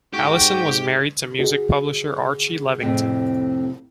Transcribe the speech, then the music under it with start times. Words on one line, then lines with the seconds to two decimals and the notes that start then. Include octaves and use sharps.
Allison was married to music publisher Archie Levington.
0.13 G#2 F#4 G4 G6
1.39 F#4 G#4
2.81 F2 A2 C3